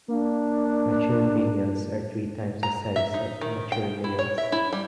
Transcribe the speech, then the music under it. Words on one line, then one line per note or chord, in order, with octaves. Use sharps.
Mature females are three times the size of mature males.
A#3 D4
A#5
E5
D#4
D#3
G5
E4
C#5
E5
E4
G3